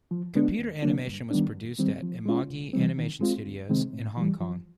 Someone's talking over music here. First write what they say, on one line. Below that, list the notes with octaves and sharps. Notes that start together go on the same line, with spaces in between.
Computer animation was produced at Imagi Animation Studios, in Hong Kong.
F3
G#3 B3 D4
D#2
D3 F#3 A#3 D4
G2
D#3 G3 B3 D4
F#2
D#3 G3 C4
F3
G#3 C#4 F4
C2
C3 E3 G3 C4
D#3
G#3 C4 F4
D2
C3 D#3 G#3 C4
A2
E3 G3
F3